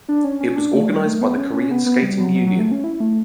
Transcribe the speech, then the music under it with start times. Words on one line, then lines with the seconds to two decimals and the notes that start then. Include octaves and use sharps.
It was organized by the Korean Skating Union.
0.08 D4
0.24 C#4
0.41 C#4
0.56 D4
0.73 A3
0.89 G3
1.06 A3
1.21 B3
1.38 C#4
1.53 C#4
1.71 B3
1.86 B3
2.03 G3
2.20 F#3
2.35 F#3
2.47 F#3
2.59 A3
2.71 C#4
2.84 E4
3.00 A3